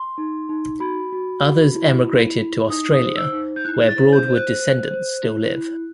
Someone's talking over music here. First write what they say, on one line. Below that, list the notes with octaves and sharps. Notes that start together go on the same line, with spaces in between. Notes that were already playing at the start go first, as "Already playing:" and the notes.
Others emigrated to Australia, where Broadwood descendants still live.
Already playing: C6
D#4
D#4
F#4 B5
F#4
F#4
E4
E4
E4
D#4 D#6
D#6
C5
E6
D#4
G6
E4 F#6
A6
C5
G6
C5
F#6
C5
C5
E4
E4